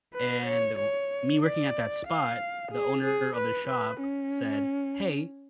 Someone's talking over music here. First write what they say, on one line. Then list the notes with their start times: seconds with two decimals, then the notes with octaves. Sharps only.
and wh me working at that spot, the owner of the shop said, "Hey,
0.14 B4
0.46 C#5
0.79 C#5
1.43 D5
2.08 F5
2.72 G#4
3.05 G#4
3.36 B4
3.68 B4
4.01 C#4